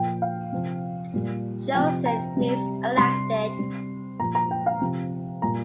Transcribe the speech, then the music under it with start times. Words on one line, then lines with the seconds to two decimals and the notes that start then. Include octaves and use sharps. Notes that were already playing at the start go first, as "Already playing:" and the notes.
"Chosen" means elected.
Already playing: A#2 F3 G5
0.22 F5
0.52 C3 F3
1.14 A#2 G3
1.75 C3 F3 G5
2.06 A#5
2.36 C3 G3
2.97 C3 G3 C6
3.58 C3 G3
4.20 A#2 F3 A#5
4.35 A#5
4.51 G5
4.66 F5
4.81 C3 F3
5.42 A#2 G3 A#5